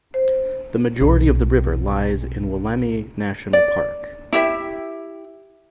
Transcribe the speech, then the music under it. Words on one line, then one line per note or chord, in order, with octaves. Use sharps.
The majority of the river lies in Wollemi National Park.
C5
B1 C3
D5
E4 G4 E5